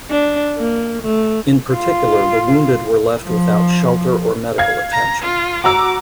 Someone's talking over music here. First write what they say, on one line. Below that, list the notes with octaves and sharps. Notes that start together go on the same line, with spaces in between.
In particular, the wounded were left without shelter or medical attention.
D4
A#3
A3
F4
F3
F5 G#6
A#5
F4
F#4 A#5 D6 E6